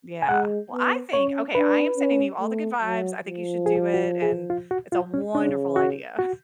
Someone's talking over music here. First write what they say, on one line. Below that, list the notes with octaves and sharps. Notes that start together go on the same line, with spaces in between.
Yeah, well, I think okay, I am sending you all the good vibes, I think you should do it, and it's a wonderful idea.
G#5
G#3 F#5
B3
C#4 C#5
D4 B4
C#4
A3
F#3
F3
G#4
F#4
G#4
F4
F#4
F4
C#4
C#3 D4
F#4
F#4